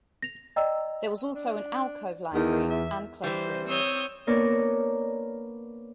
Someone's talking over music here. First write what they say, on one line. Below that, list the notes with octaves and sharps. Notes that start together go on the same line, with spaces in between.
There was also an alcove library and cloakroom.
A#6 F7
D5 D#5 G5 A#5 E6
D4
E2 D#3
E5
E3 G3 C5
C4 C#5 D#6 E6 G6
A#3 B3 D4 A#4 C#5 D5